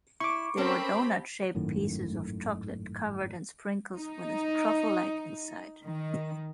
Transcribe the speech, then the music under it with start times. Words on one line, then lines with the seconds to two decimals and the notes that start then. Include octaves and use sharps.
They were donut-shaped pieces of chocolate covered in sprinkles, with a truffle-like inside.
0.20 E4 C#6 D6
0.57 C4 C#4 A4 A#4 B5
0.93 G4
1.55 G#1 F#2 A2 D#3
3.97 D#4
5.84 D#3